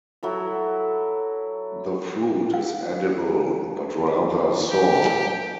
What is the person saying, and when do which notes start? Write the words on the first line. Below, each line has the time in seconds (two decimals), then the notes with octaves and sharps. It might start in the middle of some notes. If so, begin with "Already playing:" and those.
The fruit is edible but rather sour.
0.23 F#3 E4 A4
2.54 F5
4.71 G4